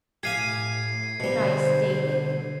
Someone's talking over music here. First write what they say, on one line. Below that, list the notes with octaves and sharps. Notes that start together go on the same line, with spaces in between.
Thrice daily.
A2 G4 F5 G#5 G#6 C7 D#7
B2 D3 G3 C5